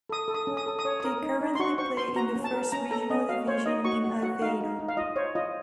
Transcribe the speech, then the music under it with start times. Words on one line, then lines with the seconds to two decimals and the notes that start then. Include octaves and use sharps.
They currently play in the First Regional Division in Aveiro.
0.09 A4 D#6
0.28 A4
0.34 D#6
0.47 C#4
0.57 D#6
0.66 A4
0.79 D#6
0.85 C#5
1.00 A#4 D#6
1.22 D#4
1.41 D#4
1.55 C6
1.59 F#4 C#6
1.78 C5 C#6
1.97 C5 C6
2.16 F#4 A#5
2.35 C#4
2.44 A5
2.53 A#4
2.72 C#4 A#5
2.91 A4 A#5
3.10 C#4 D#5
3.29 F#4 F5
3.47 C5 C#5
3.66 D#4 D#5
3.85 F#4 C#6
4.04 F#4
4.22 F#4 F#5
4.41 D#4 F5
4.60 D#4
4.79 D#4
4.88 F5
4.97 F4 D#5
5.16 C5 C#5
5.35 F4 D#5